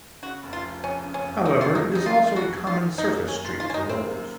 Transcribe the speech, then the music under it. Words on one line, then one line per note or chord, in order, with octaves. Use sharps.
However, it is also a common surface street for locals.
C#3 F#4
F1
F4
F3
F2 C#4
C#3
C#4
F1
F3 D#4
F4
F2
D#4
C#3
D#4
F1 F4
F3 F4
F#4
F2
D#3 F4
F#1
D#4
A#3
F#2 C#4
F4
D#3
F4
F#1 C#4 D#4
A#3 C4
F#2